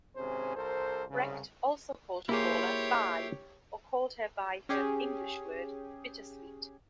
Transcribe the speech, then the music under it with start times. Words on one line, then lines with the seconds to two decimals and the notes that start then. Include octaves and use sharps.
Brecht also called Paula "Bi" or called her by the English word "Bittersweet".
0.16 G#1 C3 C#4 G#4 C5
0.56 C2 A4 A#4 C5
1.10 C2 C#3
2.29 A#3 E4 F4 G4 G#4 C5 C#5
4.69 C#4 G4 G#4